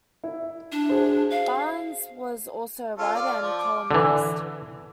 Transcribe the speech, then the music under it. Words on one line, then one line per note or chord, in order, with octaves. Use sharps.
Barnes was also a writer and columnist.
E4
D4
F#4 G#4 C5
F5
C#4 F4 A4
D5 F5
F3
D6
D3 E3